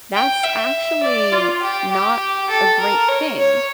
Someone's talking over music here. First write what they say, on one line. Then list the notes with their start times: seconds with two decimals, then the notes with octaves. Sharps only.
that's actually not a great thing.
0.15 G5
0.44 E5
1.03 D5
1.32 F4
1.62 G4
1.91 G4
2.49 A4
2.80 A#4
3.08 C#5
3.38 C#5